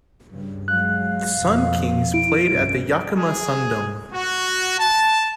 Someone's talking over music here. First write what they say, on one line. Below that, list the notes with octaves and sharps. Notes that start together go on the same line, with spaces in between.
The Sun Kings played at the Yakima SunDome.
G2 C#3
F#3 G#3 F5 F#6
F2 B2
E4 D7
C2 G2 C#4
G#4
F#4
A5